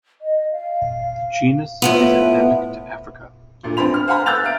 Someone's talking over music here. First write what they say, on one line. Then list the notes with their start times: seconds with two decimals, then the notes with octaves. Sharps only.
The genus is endemic to Africa.
0.21 D#5
0.53 F5
1.82 A2 F3 B3 B4 E5
3.63 D2 A#2
3.77 A#1 C4 C5 B5 F7
3.94 F6
4.08 C5 F5 F#5 G#5 A#5 B5
4.26 E6 F#6 G6 A6 F7
4.44 E5 F5 F6 D7